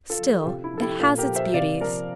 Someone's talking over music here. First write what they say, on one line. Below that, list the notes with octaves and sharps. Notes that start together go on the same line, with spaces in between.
Still it has its beauties.
F4 A4
F3
G4
C3 F4
E4
F3 A4
E4 G4
A#2 F4 A4
G4 A#4
F3
C5 E5
C3 D5 F5
F3 A#4 D5